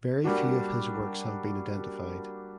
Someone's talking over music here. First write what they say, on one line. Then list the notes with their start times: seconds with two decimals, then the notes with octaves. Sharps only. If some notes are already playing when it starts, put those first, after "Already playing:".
Very few of his works have been identified.
0.24 G3 A#3 D4 F#4